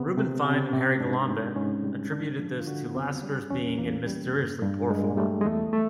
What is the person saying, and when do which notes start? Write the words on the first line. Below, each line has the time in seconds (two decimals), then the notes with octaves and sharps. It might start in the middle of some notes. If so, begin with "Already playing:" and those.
Reuben Fine and Harry Golombek attributed this to Lasker's being in mysteriously poor form.
Already playing: C3 B3
0.17 C3
0.45 C3 C#4
0.73 C3
1.00 G#2 D4
1.29 G#2
1.56 G#2 C#4
1.84 G3
2.12 D3 D4
2.39 F3
2.60 F4
2.67 D3 F#4
2.86 B3
2.95 F2 C4
3.23 G3 C#4
3.50 E2 C#4
3.78 E2 A#3
4.07 G3
4.35 G2
4.62 G2
4.90 G2 G#3
5.17 G3 A3
5.41 G#3
5.45 E2 A3
5.73 A3